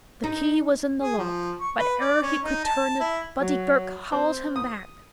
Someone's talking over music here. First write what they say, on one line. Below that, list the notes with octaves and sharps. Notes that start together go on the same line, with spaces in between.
The key was in the lock, but ere he could turn it Buddy Girk hauled him back.
D#4
G#4
F3
C#6
B4
D5
C#4
D#4
A5
E4
F#3
C4
D#6